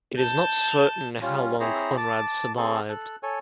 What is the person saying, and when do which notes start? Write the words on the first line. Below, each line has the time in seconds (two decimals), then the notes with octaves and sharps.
It is not certain how long Conrad survived.
0.18 A5 G6
1.22 G3 C#4 F4
1.60 C4 E4 G#4 C5 C#5 A#5
1.97 A5 D6
2.57 C4 G#4 A4
2.89 A4 F#6
3.23 A4 C#5 G#5